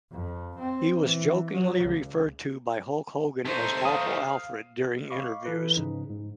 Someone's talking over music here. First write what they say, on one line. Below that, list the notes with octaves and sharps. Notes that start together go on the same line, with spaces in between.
He was jokingly referred to by Hulk Hogan as "Awful Alfred" during interviews.
F2
C4
E3
F#3
C#2
A3 D#4 C5
F5 D#6
D#5 F5 B5 C#6 D6
E3 A4 B4
G#2 C#3 F3 D#4
G#2